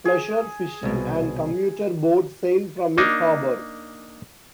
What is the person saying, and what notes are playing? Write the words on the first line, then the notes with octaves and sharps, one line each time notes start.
Pleasure, fishing and commuter boats sail from its harbor.
G#4
C2 B2
A#3 D4 D#4